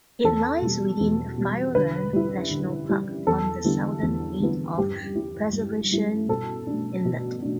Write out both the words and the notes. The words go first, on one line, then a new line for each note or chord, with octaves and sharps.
It lies within Fiordland National Park on the southern head of Preservation Inlet.
E2 A4
B2 G3
E2
B2 G3
D3 B4
G3 E4
D3
G3 E4
E2 A4
D3 G3 B3 E4
E2
D3 G3 B3 E4
G2 G4
G3 E4
G2
G3 E4
B2 A4
A3 D4
B2
A3 D4